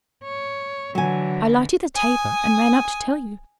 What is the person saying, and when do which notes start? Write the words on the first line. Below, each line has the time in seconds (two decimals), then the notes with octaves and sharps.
I lighted the taper, and ran up to tell you.
0.25 C#5
0.95 D3 E3 F#3 G#5
1.95 G#5 D#6